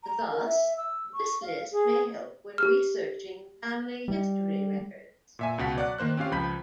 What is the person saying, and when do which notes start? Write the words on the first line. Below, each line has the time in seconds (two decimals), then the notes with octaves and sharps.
Thus, this list may help when researching family history records.
0.04 A#5
0.31 A#4
0.46 E5
0.77 E6
1.13 C#6
1.42 F5
1.72 G#4
2.58 G4 F6
4.08 G3
5.39 A#2 E5 G#5
5.58 C#2 B2 F#5 B6
5.76 F#3 D5 F#5 F#6
5.98 D#3 A#3 C5 F#6
6.17 C4 C#4 F4 G4 F5
6.31 C#2 F3 B5 G6 B6